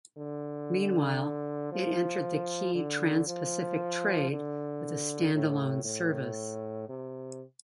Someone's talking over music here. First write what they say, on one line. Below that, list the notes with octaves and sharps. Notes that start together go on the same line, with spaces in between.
Meanwhile, it entered the key Trans-Pacific Trade with a standalone service.
D3
F3
D3
F3
D3
A2
A2
C3